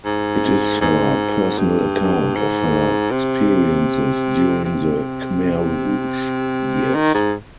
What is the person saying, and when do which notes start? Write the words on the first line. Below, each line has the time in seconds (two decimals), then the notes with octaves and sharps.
It is her personal account of her experiences during the Khmer Rouge years.
0.05 G#2
0.81 G#2
1.58 G2
2.35 G#2
3.11 C3
4.65 C3
6.94 D#3
7.14 G#2